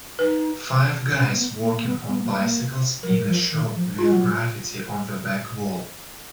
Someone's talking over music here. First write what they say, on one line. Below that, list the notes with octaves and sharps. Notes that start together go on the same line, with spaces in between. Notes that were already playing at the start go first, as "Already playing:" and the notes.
Five guys working on bicycles in a shop with graffiti on the back wall.
D#4 B4
C#4
A#3
B3
A#3
A#3
B3
B3
A#3
G#3
A#3
F#3 A#4
F3
D#3
F3
G#3 F4
F#3